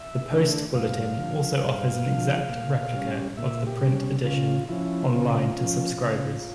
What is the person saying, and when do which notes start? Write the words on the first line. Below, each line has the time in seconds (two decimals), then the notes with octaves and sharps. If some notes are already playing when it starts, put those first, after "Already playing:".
The "Post-Bulletin" also offers an exact replica of the print edition online to subscribers.
Already playing: E5
0.31 D3 A3 D4
0.74 G2 F5
1.18 D3 F3
1.62 G2
2.06 D3 F3
2.49 A#2
2.93 G3 C#4
3.37 A#2 E5
3.67 G4
3.81 G3 C#4
4.24 C#3 F4
4.69 F3 C#4 E4
5.12 C#3 F4
5.56 F3 C#4
6.00 C#3